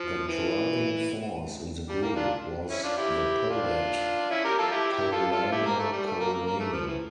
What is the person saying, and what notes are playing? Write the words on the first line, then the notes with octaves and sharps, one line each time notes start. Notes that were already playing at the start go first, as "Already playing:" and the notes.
The driving force in the group was the poet Carolina Coronado.
Already playing: F3
E3
G3
A#3
D4 F4
C#4 E4
D4 F4
E4 G4
D4 F4
C#4 E4
G4 A#4
F4 A4
E4 G4
E4 G4
F4 A4
F4 A4
E4 G4
A#3
A3
G3
A3
A#3
A#3
A#3
A3
F3
E3